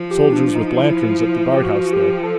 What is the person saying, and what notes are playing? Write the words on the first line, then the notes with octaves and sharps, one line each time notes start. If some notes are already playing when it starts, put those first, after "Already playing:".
Soldiers with lanterns, at the guard-house there.
Already playing: F3
G4
D4
D#4
E4
G4
F#4
G4
A4